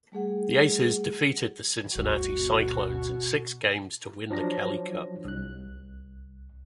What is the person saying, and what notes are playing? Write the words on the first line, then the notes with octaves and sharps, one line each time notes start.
The Aces defeated the Cincinnati Cyclones in six games to win the Kelly Cup.
G3 A3 G#4 F#5
G1 D2 F#4
B2
F3 F#3 D4 A#6
C2 F#6